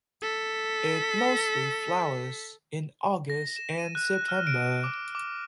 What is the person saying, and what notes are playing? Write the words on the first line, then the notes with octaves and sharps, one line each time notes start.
It mostly flowers in August and September.
A4 B6
A#6
E7
D#7
F#6
F6
D7
D7
D6
D6